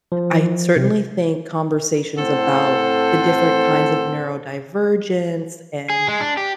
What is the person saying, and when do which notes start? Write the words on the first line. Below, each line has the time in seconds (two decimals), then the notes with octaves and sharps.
I certainly think conversations about the different kinds of neurodivergence and
0.12 F3
0.76 C3
2.16 A2 C4 A4 C5 F#5
5.90 G#4
6.08 G#3
6.21 D4
6.37 G4